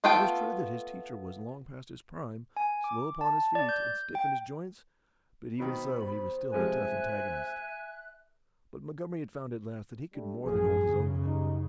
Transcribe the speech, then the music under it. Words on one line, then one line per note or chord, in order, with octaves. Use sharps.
It was true that his teacher was long past his prime, slow upon his feet, and stiff in his joints, but even so he was still a tough antagonist; but Montgomery had found at last that he could more than hold his own with him.
A3 B3 F4 A4 G5
G#5
D6
A5
D5
G6
G5
B2 D#3 C5 B5
C3 F3 G#3 E5 G#5 F#6
G3 A3 D4
A1 F#2 F3 G#4
B1 F#2 C#3
G#2 G3 D#4